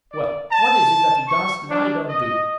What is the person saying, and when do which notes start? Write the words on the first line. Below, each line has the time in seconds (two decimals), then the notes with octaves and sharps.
Well, what is it that he does that I don't do?
0.12 D5
0.51 A5
1.27 C#6
1.70 D4
2.08 D#5